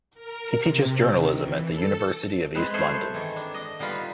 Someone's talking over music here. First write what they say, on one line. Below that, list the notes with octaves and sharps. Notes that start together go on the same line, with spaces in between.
He teaches journalism at the University of East London.
A#4
C3
D#3
E3
A4
G#3 C4 B4
A3 G#4 A4 C5 G#5
D#3 E3
D4
D#5
D3 G3 D#4 F4 B4